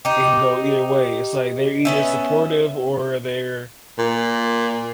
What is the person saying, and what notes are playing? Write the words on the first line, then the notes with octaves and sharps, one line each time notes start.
it can go either way. It's like they're either supportive or they're
D#4 G4
B3 C#4 E5
A#2